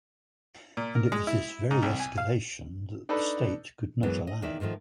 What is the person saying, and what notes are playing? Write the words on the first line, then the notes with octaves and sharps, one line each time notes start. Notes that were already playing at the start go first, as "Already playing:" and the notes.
And it was this very escalation that the state could not allow.
A#2
A#4
G#3
E4
G#2
C2
G#5
F5
D4 D#4 A4 B4
F#2 E3 F#3 G#3 B3
D#5
E2 D#3 D5 E5
G#2 D3 D#3 F3 A3